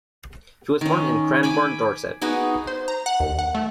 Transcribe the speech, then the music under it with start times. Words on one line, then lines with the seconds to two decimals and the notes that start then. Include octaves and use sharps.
He was born in Cranborne, Dorset.
0.81 D#3 C#4
1.43 G#5 B5 D6
2.22 B3 D#4 F#4 G#4
2.67 C5
2.88 A#5
3.06 F#5
3.20 D#2
3.39 F#5
3.55 A3